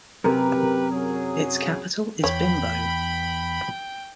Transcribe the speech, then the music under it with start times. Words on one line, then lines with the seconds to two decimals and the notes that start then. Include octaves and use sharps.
Its capital is Bimbo.
0.24 F#2 C3 G4 A#4 B4
0.91 F#3 C#4 G#4
2.24 E2 C#5 G5 B5